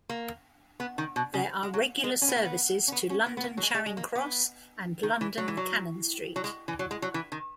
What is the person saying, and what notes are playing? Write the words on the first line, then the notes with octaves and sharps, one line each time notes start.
There are regular services to London Charing Cross and London Cannon Street.
A#3
B3
D#3
B2
C#3
G#3
F#3
G#3
C#4
B3
A#3
B3
C#4
B3
C#4
B3
B3
A#3
F#3
G#3
G#3
G#3
A#3
B3
D#3
E3
F#3
E3
F#3
F#3
G#3
E3
F#3
G#3
F#3
E3
D#3